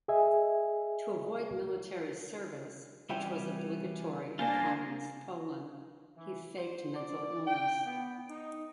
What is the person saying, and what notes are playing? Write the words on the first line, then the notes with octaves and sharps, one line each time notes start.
To avoid military service, which was obligatory in Communist Poland, he faked mental illness.
G#4 D#5 E5 G#5
C2 E3 G3 C#4 E5 G5
A#3 D4 F4 C5 G#5 A5
E3
C5
D5
G5
B3
D#4